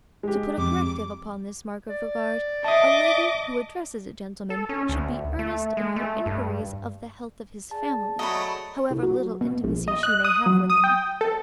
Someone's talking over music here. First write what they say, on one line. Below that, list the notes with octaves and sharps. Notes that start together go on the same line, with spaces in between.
To put a corrective upon this mark of regard, a lady who addresses a gentleman, should be earnest in her inquiries of the health of his family, however little intimacy she may have with them.
G#3 G4
F2 D6
D5
D#5 E5 A5 D6 D#6
A4
C#4
D2
A3
G#3
A3
G2
G#4 D5 A5
F#3 A3 D#5 B5
C2
F#3
B2
A#1
D#5
F#6
D#6
F#3
D#6
G5
A4